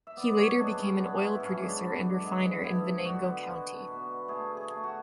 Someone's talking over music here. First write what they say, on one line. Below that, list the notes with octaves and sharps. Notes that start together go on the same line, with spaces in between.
He later became an oil producer and refiner in Venango County.
E5
B3 D5
C#5
G#3 D4
C#4
B3 D4
E4
G#2 C#4
D4
D3
G#3
B3 E4
D3 F#4
B2
B2
A3 G#4
G#4
A3
F#4